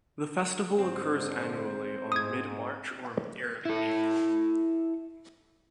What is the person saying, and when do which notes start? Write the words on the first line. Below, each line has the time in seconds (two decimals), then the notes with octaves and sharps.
The festival occurs annually on mid March or early April.
0.79 G#2 D3 C4 C5
2.12 G#2 D#6 G#6
3.65 E4 A4